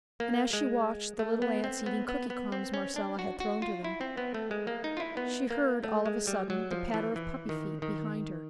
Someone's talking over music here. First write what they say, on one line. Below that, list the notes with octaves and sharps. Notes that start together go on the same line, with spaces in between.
And as she watched the little ants eating cookie crumbs Marcella had thrown to them, she heard all of a sudden the patter of puppy feet behind her.
A#3
G#3
A3
B3
C4
B3
B3
B3
C4
C#4
D4
F#4
F#4
F4
E4
C4
B3
A3
G#3
A#3
D#4
F4
E4
B3
A#3
A3
G#3
G3
F#3
F3
E3
E3
D#3
D#3